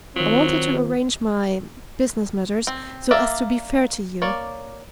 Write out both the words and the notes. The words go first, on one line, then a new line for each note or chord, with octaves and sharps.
I wanted to arrange my--business matters so as to be fair to you.
D#3 F#3 C4 F4
C4
A#3 D5 E5
A#3 C#5 D5